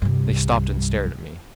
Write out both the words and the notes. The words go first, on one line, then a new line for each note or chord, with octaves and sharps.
They stopped and stared at me.
C2 G2